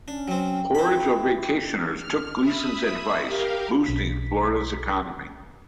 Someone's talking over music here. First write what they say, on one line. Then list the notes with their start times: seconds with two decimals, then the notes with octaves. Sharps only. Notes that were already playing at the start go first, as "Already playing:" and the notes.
Hordes of vacationers took Gleason's advice, boosting Florida's economy.
0.08 C#4 D4
0.28 F#3 C4 G5
0.75 C4 E4 B5
1.96 F6
2.41 E5 B5 D#6
3.25 G4 A#4 F5
3.86 B1 B6